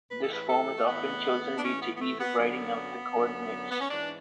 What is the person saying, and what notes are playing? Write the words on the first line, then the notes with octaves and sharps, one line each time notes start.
This form is often chosen due to ease of writing out the coordinates.
A2 E3 B4
A4
B4
A4
A3
A2 E3 B3
D4
A2 E3 C#4
B3
B3
A3
B3
F#2 D3 F#3 B3
F#2 D3 F#3
B3
C#4
G#2 E3 D4